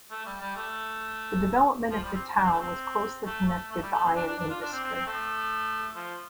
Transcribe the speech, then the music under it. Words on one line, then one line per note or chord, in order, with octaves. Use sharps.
The development of the town was closely connected the iron industry.
A3
G3
G3
A3
F3
G3
C4
D4
C4
A3
C4
A3
A3
A3
G3
A3
C4
D4
D4
D4
F4
D4
C4
C4
C4
A3
F3